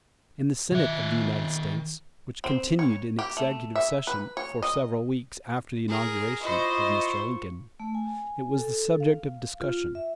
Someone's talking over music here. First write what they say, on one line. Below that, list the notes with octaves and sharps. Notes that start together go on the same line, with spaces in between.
In the Senate of the United States, which continued in executive session for several weeks after the inauguration of Mr. Lincoln, it was the subject of discussion.
D#3 E5
C4
C#5
G4
A3
E5
B4
C#5
D#5
G#4 A#4
E4 F4 C5 D#5 C#6
A3
G#5
A4
F5
F4
E5